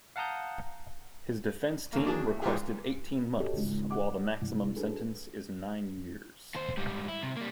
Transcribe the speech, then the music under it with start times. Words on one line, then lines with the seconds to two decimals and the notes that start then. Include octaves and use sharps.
His defense team requested eighteen months, while the maximum sentence is nine years.
0.16 F5 F#5 A5 A#5 D#6 G6
1.93 D#2 A#3
2.05 F#3 D4 G#4
2.27 A2
2.42 G#2 E3 F4 G4 G#4
3.40 F#4 G4 A4 C#5 D#5
3.56 G#1 C#2
3.91 D5 F#5 D6
4.42 C2
4.76 D4 F#4 G#4 A4 B4
6.55 D#2 C5
6.77 G#2 G3
7.09 E4
7.22 C3
7.37 G3 A#3